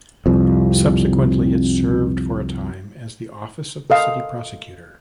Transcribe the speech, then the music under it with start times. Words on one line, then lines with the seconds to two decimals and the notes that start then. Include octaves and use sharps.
Subsequently, it served for a time as the office of the City Prosecutor.
0.26 C2 F2
3.90 A4 D#5 F5